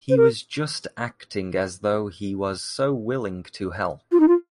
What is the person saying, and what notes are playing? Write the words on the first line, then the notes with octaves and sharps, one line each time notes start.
He was just acting as though he was so willing to help.
C5
A#4
F4
D#4
F4